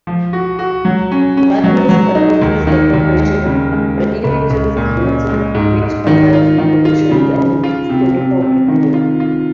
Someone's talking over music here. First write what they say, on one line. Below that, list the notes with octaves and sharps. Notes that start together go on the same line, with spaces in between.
Magnus opposes the corporation "Breakages, Limited", which controls politicians and impedes technical progress.
F3
F#4
F#4
F#3
C#4
C#4
F#3
F#3
D#4
D#2
D#3
D#2
G#3
C#3
G#3
G#3
C#2
C#2
A#2
C#4
G#3
G#2
G#2
D#3
F4
D#3
F4
C#3
C#3
F4
C3
C3
C3
D#3
F4
F4